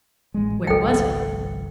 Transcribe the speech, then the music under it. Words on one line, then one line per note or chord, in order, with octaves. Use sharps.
Where was it?
A1 G#3
G#1 C#2 F#3 A4 G5